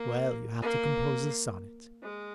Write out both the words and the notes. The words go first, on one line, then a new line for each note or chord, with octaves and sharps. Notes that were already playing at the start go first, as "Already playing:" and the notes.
Well, you have to compose a sonnet.
Already playing: A#3
A#3
G#3